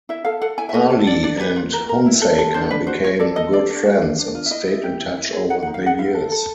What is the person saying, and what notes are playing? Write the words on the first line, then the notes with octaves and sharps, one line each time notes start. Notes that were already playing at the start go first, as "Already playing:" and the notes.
Ali and Hunsaker became good friends and stayed in touch over the years.
E4 E5
A4 F5
A4 F#5
E4 G#5
E5
A4 D#5
A4 C#5
D4 D5
D4 D5
G4 B4
F4
A#4
A#4
E4
A4
A4
D4 C5
D4 B4
F#4 C5
F4 C#5
A4 D5
A4 D#5
D4 D5
D4
F#4
D4
D4
F4
E5
E4 D#5
E4
G4
E4
E4
G#4
D#4 F#5
F#5
D#4
F5
G#4 F#5
E4 F5
A4
A4